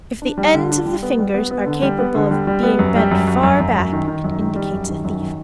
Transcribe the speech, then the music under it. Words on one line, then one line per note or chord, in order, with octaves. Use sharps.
If the ends of the fingers are capable of being bent far back, it indicates a thief.
D4
G3
D3
D4
G3
B3
G3
B3
B3
D3
G3
B3
D3
G3
G3
B3
F#2
G3
F#2
F#2
F#2
F#2
F#2
D#3
D#3
F#2
D#3
G3
F#2
D#3
F#2
D#3